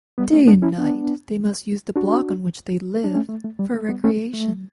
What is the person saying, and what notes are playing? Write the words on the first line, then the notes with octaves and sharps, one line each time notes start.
Day and night they must use the block on which they live for recreation.
G3 B3
A3 C#4
B3 D4
C#4 E4
B3 D4
D4 F#4
D4
A3 C#4
A3
A3
G3
A3
G3 B3
A3 C#4
A3